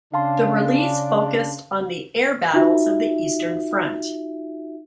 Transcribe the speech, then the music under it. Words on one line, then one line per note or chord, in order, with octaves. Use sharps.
The release focused on the air battles of the Eastern Front.
C#3 D4 F5 A5 C6
D#4 F4 F#4 E5